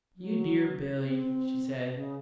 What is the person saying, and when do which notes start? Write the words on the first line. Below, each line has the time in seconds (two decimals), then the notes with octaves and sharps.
"You dear Billy," she said.
0.16 F#3
1.03 C4
1.91 C#3